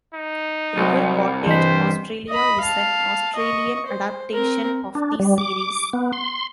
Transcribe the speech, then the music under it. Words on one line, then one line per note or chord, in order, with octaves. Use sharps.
River Cottage Australia is an Australian adaptation of the series.
D#4
C2 F#3
G2 E3 C5 D#5 B6
D#5 B5
F5 A5
D#5 C#6
C5
C4 A#4
D4
G3
D6
B3
C6